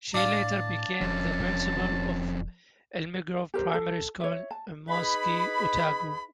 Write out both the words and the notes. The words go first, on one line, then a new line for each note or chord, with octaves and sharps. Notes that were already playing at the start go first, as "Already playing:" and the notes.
She later became the principal of Elmgrove primary school in Mosgiel, Otago.
A2 D4 F5 A5
E1 F2 C#4
G4 A#4 C5
A4 A5
C#5 E5
A5
D#4 G#4 B4 B5